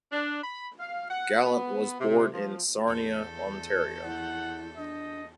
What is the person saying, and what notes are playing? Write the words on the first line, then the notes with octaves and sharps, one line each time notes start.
Gallant was born in Sarnia, Ontario.
D4
B5
F5
F#5
B3
C3
F3
E2 A4 G6
E4 F#5
D4 D#5